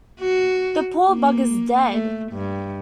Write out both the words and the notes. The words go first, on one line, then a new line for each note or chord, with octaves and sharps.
The poor bugger's dead!
F#4
A#3
A3
G2